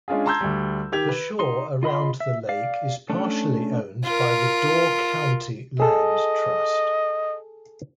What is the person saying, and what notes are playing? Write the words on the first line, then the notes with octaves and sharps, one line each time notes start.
The shore around the lake is partially owned by the Door County Land Trust.
G#3 C#4 D4 F4 G#4
A5 A#5 C6 E6 G6 G#6
D2 G3
D#3 G4 G#6 F7
B4
D#4 C6
F4 D#5 B5 C6
E5
D5 F5
A3 C#4 D4
F4 A#4
G#4 A4 D#5